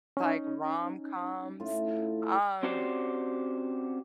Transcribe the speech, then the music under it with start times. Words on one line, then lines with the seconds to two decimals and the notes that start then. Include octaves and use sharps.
Like rom-coms? Um,
0.17 C#4 D#4
1.60 A2 F4
2.63 C4 C#4 F#4 G4 C5 D5